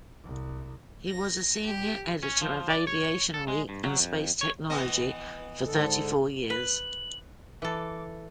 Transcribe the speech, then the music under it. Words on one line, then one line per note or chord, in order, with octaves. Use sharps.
He was a senior editor of "Aviation Week and Space Technology" for thirty-four years.
C2
A#6
G4
C#4
F3
D5
C#5
A4
G#3
G2
F#3
F2
C#5
E3 B3 D#5
G#2 D3 A4
B4 F#7
E3 A4 D6